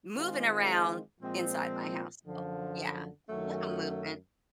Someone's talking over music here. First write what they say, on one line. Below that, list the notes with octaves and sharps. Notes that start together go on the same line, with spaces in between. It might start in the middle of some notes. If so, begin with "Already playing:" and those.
moving around inside my household? Yeah, a little movement.
D#3 G#3 C4 F4 G#4
A#2 F3 G#3 C4
F#2 D3 F3
F#2 D#3 F#3 A3 C#4